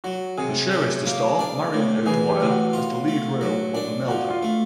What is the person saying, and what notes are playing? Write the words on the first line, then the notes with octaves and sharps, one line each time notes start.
The show is to star Marion O'Dwyer as the lead role of Emelda.
F#3 F#4
C3 G#4
F#3
A#3
D4
A2
E3 G#4
G4
A2
F#4
F4
A3
F#3
D4
F3 F#4
F4
A3